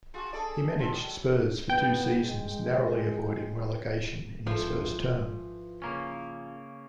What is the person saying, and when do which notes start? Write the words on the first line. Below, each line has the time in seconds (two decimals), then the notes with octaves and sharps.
He managed Spurs for two seasons, narrowly avoiding relegation in his first term.
0.14 F4 F#4 G#4
0.33 G#4 A4 D5
0.79 F4 A4
0.92 F#3
1.70 B3 G5
2.21 G#3
4.47 G#1 E3 F3 A4
5.82 C#3 A#3 C#4